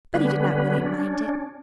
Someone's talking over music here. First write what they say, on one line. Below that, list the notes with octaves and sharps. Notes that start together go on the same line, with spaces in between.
But he did not really mind it.
D3 G3 B3 C#4 B4
C#4 D4